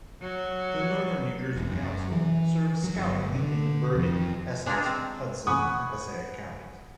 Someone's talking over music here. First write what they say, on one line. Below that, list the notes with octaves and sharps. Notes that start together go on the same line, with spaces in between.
The Northern New Jersey Council serves Scouting in Bergen, Essex, Hudson and Passaic counties.
F#3
E1
F#2
E3
F#3
G1
D3
F2
G#3 D4 F4 G4 G#4 A#4
C4
F#5 G#5 B5 C#6 D#6 F#6